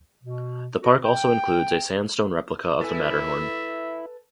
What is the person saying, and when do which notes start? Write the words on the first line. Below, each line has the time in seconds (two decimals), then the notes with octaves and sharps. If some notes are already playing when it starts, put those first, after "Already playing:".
The park also includes a sandstone replica of the Matterhorn.
0.23 B2
0.81 F#4
1.04 G5
2.81 E4 A4 B4 E5 G#5